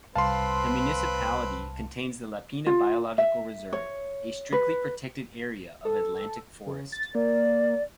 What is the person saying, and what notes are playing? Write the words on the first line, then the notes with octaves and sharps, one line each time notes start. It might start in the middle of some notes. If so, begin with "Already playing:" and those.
The municipality contains the Lapinha Biological Reserve, a strictly-protected area of Atlantic Forest.
C2 C4 B4 F5 A5 C6
F4
E5
C#5
B4
A4
C#3
A6
A#3 D5